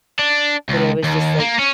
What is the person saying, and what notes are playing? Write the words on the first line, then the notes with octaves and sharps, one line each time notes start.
but it was just like
D4
C#2
D#2
A#3
C#4